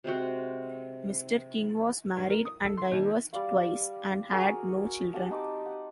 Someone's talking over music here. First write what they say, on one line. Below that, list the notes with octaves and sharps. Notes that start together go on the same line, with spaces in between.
Mr. King was married and divorced twice, and had no children.
C3 G#3 C4 F#4
G2
A#4
D#6
A4
C6
D#2
G3 D5 F5
F#4 G#4 A#4
G4 F#5 A5
C4 D#4 G4 D6
F#5